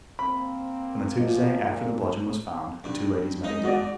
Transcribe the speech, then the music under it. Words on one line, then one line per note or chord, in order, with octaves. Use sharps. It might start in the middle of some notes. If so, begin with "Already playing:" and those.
On the Tuesday after the bludgeon was found, the two ladies met again.
A#3 C4 B5
A#2 F3 F#3 A#3 A#4 D#5
G2
G#3 D#4 D#5
G#2 F#4 D5